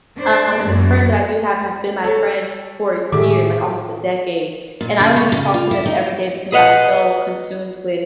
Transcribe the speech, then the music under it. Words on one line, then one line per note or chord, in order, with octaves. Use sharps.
um, and the friends that I do have, have been my friends for years, like, almost a decade, and I don't even talk to them everyday, because I'm so consumed with
D4 C5
F#2 A#3
A4 C#5
A2 D#3 G4 G#4 E5 D6
A#2
C#3
C#5
C#3
F4
E4
D#4
G#4 B4 D#5 F5 F#5